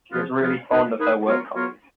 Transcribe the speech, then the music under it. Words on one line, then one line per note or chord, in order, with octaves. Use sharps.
She was really fond of her work colleagues.
C#3 F3 B3 F4
C#3 F3 B3 F4
A#3 D#4 G#4 B4
A#3 D#4 G#4 B4
F#3 B3 F4 A#4 C#5
F#3 B3 F4 A#4 C#5